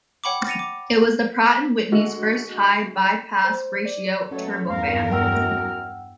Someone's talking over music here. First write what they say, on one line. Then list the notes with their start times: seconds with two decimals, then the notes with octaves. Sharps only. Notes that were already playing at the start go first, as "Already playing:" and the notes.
It was the Pratt and Whitney's first high-bypass-ratio turbofan.
0.24 C#5 F#5 G5 B5 C#6 D6
0.47 A6 A#6 C#7 D#7 F7
0.59 D6
1.92 D3 G#3 A3 F#4 A4
3.45 C5
3.85 D5
4.31 B2 F#3 A3 C#4 A4 C#5
4.69 E2 G2 A#4 F5
5.12 F#2 F#5 G5 E6 F6